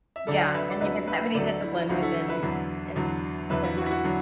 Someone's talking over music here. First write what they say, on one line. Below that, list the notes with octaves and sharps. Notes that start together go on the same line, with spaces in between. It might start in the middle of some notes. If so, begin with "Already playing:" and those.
Yeah, and they didn't have any discipline within In with their money.
E5
D2 D3 F#3 A4 D5
B4 E5
D5
D2 D3 F#3 B4 E5
B4 E5
D2 D3 F#3 A4 D5
E4
D2 D3 F#3 F#4
E4 A4
B4 E5
E2 D3 F#3
E2 D3 F#3
E2 D3 F#3 B4 E5
E4
F#4
E4
F#4
D3 F#3